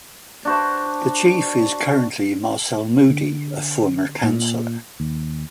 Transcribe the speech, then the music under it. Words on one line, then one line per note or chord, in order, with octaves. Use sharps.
The Chief is currently Marcel Moody, a former Councillor.
D4 F#4 C5
D3
A#2
D#2